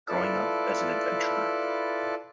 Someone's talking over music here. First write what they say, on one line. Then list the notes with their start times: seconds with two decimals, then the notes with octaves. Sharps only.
Growing up as an adventurer.
0.09 E4 F4 A4 B4 D5 A5